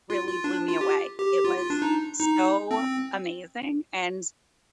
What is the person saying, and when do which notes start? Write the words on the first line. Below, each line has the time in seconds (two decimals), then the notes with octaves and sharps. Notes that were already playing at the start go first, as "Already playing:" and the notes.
really blew me away. It was so amazing, and
0.10 F4
0.27 F4
0.44 D4
0.68 F4
0.81 G4
1.19 G4
1.44 F4
1.57 F4
1.70 D4
1.82 D#4
2.20 D#4
2.71 C4